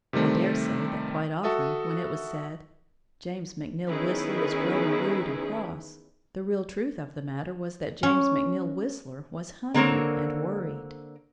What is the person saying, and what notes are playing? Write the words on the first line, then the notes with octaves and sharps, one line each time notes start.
I dare say that quite often when it was said: "James McNeill Whistler is growing rude and cross," the real truth of the matter was that James McNeill Whistler was hungry and worried.
C3 D#3 G3 A3 C4
F#4 A4 E5 D#6
D#3 B3 C#4 E4 G#4 B4
C#4
D3 A#3 C4 A#4 C#5